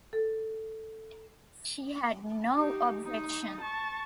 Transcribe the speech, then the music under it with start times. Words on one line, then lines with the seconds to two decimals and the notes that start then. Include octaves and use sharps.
She had no objection.
0.13 A4
2.54 D#4 G4
3.04 D#4
3.61 A5 C#6